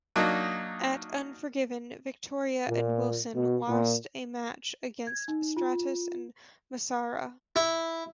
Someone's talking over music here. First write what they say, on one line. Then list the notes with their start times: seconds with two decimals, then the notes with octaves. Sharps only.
At Unforgiven, Victoria and Wilson lost a match against Stratus and Massaro.
0.16 F#3 A#3 D4 D#4
2.67 A#2
3.35 B2
3.69 A#2
5.07 G#6
5.28 D#4
5.57 F4
7.56 E4